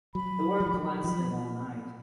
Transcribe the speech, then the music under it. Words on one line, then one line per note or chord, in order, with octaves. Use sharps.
The work lasted all night.
F#3 B5
F#3
F3
F#3
F3 B5